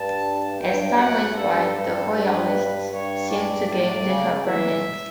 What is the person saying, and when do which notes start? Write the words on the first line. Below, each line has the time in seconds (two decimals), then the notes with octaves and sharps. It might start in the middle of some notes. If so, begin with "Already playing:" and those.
As time went by, the Royalists seemed to gain the upper hand.
Already playing: G2 A5
0.59 G2 G5
0.97 F#2 F#5
1.36 G2 A4
1.74 G2 A4
2.13 G2 B4
2.90 G2 C#5
3.30 D5
3.67 A2 D5
4.06 C#3
4.45 E3 E5